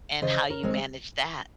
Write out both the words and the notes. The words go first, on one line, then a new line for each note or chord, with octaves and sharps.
and how you manage that,
C#3 C5 D#5
A#4 C#5
G#3 C4